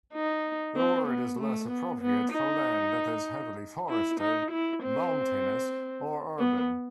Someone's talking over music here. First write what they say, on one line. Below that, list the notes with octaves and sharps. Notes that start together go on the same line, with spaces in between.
The word is less appropriate for land that is heavily forested, mountainous, or urban.
D#4
C4
B3
A3
B3
B3
D#4
E4
D#4
E4
C4
B3